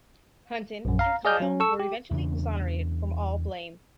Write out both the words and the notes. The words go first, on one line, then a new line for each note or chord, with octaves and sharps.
Hunton and Kyle were eventually exonerated from all blame.
A#1 F#2
F5 A#5
G#4 D5 D#5 F6 G6
F#3 C#4
A4 C#6 E6
G4
E2 C#3 D4